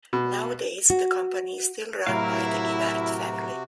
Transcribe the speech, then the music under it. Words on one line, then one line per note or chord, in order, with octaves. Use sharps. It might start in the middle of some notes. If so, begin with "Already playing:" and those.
Nowadays the company is still run by the Yvert family.
B2
F#4
A2 C3 F#3 E4 F#4 A#4 F5